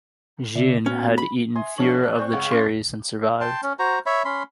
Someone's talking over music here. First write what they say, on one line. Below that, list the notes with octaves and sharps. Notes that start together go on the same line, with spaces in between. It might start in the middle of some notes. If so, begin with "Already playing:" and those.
Jeanne had eaten fewer of the cherries and survived.
C#3 D5 E5
B3 C#4 F#4
B5
E5 G#5 C6 D#6
B1 F3 D4 C#5 E5 F#7
D5 F#6
C4 G5 G#5 C#6
C#2 C#3 F#5
C#4 D4 G#4 F5 C6
G5 A5 C6
C#4
F#4 C5 A#5
C#5 E5 B5
C#4 B5 C6